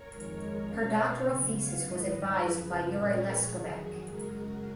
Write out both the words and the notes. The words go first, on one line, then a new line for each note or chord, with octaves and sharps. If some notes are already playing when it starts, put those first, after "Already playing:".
Her doctoral thesis was advised by Jure Leskovec.
Already playing: A#4 C#5
F2 D#3 G#3
B2 A#3 C#4 C#5 F5
C#3 F#3 B3
C#5 F5
G#2 D#3 F#3 B4 D#5
F#2 C#3 F3 G#4 B4
A#2 F3 G#3 C#4 A#4 C#5
G#4 B4
F2 D#3 F#3 G#4
F#4
F#2 C#3 G#3 F#4 A#4